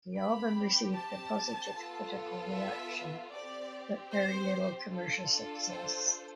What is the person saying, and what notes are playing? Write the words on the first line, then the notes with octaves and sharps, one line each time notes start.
The album received a positive critical reaction but very little commercial success.
C4 G4 B5
A5
B3 F4 A4
E5
C4 G4 D5
C5
D4 F4 A4
C5